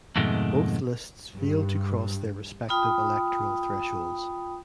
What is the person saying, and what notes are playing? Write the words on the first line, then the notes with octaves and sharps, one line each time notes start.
Both lists failed to cross their respective electoral thresholds.
F2 G#2 B2 D#3 G#3 A3
G2
F4 G5 B5 D#6